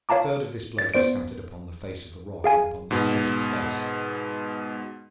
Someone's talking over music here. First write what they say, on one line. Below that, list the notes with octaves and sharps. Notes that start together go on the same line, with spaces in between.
A third of this blood he scattered upon the face of the rock and upon the snow at its base.
C#5 F5 A5 A#5 D6
A6
B3 C5 D5 D7
G#4 F5 G#5
G#2 B2